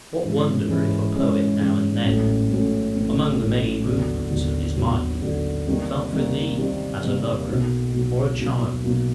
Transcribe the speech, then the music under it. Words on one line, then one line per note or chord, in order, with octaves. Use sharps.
What wonder if a Poet now and then, Among the many movements of his mind, Felt for thee as a lover or a child!
G#2 E3 G#3 C#4
G#2 E3 G#3 C#4
G#2 E3 G#3 C#4
G#2 E3 G#3 C#4
A1 A2 F#3 A3 C#4
A1 A2 F#3 A3 C#4
A1 A2 F#3 A3 C#4
A1 A2 F#3 A3 C#4
D#2 D3 F#3 B3
D#2 D3 F#3 B3
D#2 D3 F#3 B3
D#2 D3 F#3 B3
C3 D#3 G3 A#3
C3 D#3 G3 A#3
C3 D#3 G3 A#3
C3 D#3 G3 A#3
B1 B2 F#3 A#3
B1 B2 F#3 A#3
B1 B2 F#3 A#3
B1 B2 F#3 A#3